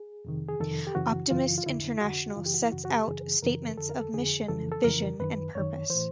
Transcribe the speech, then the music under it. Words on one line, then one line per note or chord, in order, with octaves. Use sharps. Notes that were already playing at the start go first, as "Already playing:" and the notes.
Optimist International sets out statements of mission, vision and purpose.
Already playing: G#4
F2 C3 D#3
G#4
F2 C3 D#3 A4
G4
F#2 C#3 E3 F#4
F#2 C#3 E3 F4
F4
F2 D3 E4
F2 D3 F#4
F#2 C#3 E3 F4
G4
F#4
E4
F#2 C#3 E3 F#4
F#4
G4
F#2 C#3 E3 G#4
F#2 C#3 E3 A#4
F2 D3 A4
A#4
A4
F2 D3 G#4
F2 C#3 E3 A4
A4
F2 C#3 E3 A#4
F#2 D#3 B4
F#2 D#3 C#5
A2 E3 C5